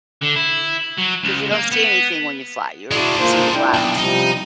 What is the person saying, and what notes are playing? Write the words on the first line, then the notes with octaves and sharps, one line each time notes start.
'cause you don't see anything when you fly you're you see the clouds.
D3
E4
F#3
C#2
A#3
B3
G#3 D4 E4 F#4 D5
A#3 F4 C5
D4 E4 G5
B1
C3 F3 G3 D#4